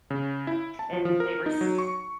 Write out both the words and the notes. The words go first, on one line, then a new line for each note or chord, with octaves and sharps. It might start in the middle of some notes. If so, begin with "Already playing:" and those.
and they were s
C#3
E4
A5
F3
F3
A#4
D#4
F#3
C#6